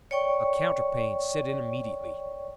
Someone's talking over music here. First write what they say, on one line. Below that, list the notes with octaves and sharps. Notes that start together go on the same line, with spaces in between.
A counter-pain set in immediately.
C#5 D5 G5 C#6